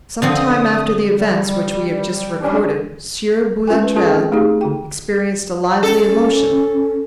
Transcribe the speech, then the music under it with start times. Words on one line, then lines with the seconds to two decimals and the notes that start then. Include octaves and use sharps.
Some time after the events which we have just recorded, Sieur Boulatruelle experienced a lively emotion.
0.22 D3 F3 C4 D#6
1.18 G3
2.41 G3 C#4 D4
3.67 G#3 C#4 F4 A#4 G#5
3.83 B4
3.96 C#4 F4 G#4 A4 A5
4.13 C4
4.32 A3 D#4 G4 G#4
4.61 D3 F#4 G5
5.83 C#4 A4